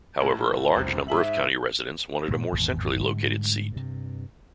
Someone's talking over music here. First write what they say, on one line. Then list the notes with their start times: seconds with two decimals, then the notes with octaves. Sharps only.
However, a large number of county residents wanted a more centrally located seat.
0.21 A2
0.76 F1 C2 C4
1.08 G#2 E5 F#7
2.28 G2 A#2 G#3
2.52 G#1 E2 G2 A#2
3.00 G#2 D3 G3
3.72 G2 C3